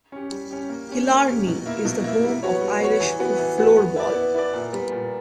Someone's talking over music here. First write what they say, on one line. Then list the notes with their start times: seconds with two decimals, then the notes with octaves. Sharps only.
Killarney is the home of Irish floorball.
0.12 C#4 G4
0.31 G3
0.51 C#4 G4
0.69 A#3
0.89 C#4 G4
1.08 A#3
1.27 C#4 G4
1.47 B2
1.66 A#3 E4
1.85 B2
2.04 A#3 E4
2.23 G3
2.43 B3 F#4 C#5
2.61 G3
2.81 B3 F#4 C#5
3.00 E3
3.19 B3 F#4 B4
3.39 E3
3.58 B3 F#4 B4
3.77 B3
3.96 E4 B4 D5
4.15 B3
4.35 E4 B4 D5
4.54 A#2
4.73 G3 B3
4.92 A#2